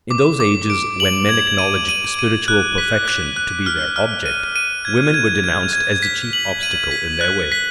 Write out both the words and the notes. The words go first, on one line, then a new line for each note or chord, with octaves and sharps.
In those ages when men acknowledged spiritual perfection to be their object, women were denounced as the chief obstacle in their way.
D6
D6
D7
F#7
G#6
D#7
D#7
D#7
F#6
B6
F#6
F#6
F6
F6
D#7
D#7
G#6
G#6
G#6
G#6
B6
F#7
D#7
B6
F#6
B6